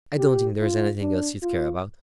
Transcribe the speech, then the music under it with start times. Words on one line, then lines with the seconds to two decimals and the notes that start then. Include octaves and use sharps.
I don't think there is anything else you'd care about.
0.18 G4
0.61 F4
1.02 D4
1.43 F4